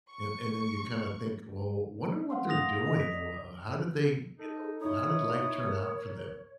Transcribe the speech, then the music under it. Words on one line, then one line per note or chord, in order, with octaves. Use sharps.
And and then you kinda think, "Well, wonder what they're doing, wha how did they," you know, "how did life turn out for them?"
C#6
F5 F#5 C6
A3 D#6 A#6 F7
D#5
B6
D5
D#4 A4
D#4 E4 C#5 D#6
A#4